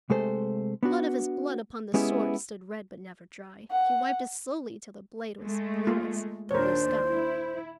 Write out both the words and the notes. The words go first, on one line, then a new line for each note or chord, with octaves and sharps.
Blood of his blood upon the sword Stood red but never dry. He wiped it slowly, till the blade Was blue as the blue sky.
C3 G#3 A3 A4 C5
B3 D4 F#4
G#3 B3 C#4 E4 G4 G#4
F#5
G#3 A3
A#3 F4
D#2 A#2 D4 A#4 C5 C#5
E4